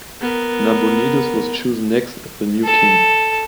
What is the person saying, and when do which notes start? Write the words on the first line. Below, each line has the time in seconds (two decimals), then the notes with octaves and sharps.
Nabonidus was chosen next as the new king.
0.21 B3 A#4
2.64 A4